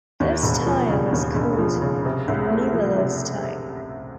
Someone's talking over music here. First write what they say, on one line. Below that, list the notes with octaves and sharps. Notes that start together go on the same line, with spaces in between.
This style is called the Nummedals-type.
D#2
E1
F3
C#3
D#2
E1
F3
C#3
C3
C2
A3
F3
C3